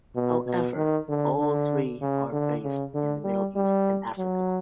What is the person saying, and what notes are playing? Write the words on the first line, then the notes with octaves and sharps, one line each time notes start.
However, all three are based in the Middle East and Africa.
B2
B2
D#3
D3
D3
C#3
D3
C#3
D3
G3
G3
F#3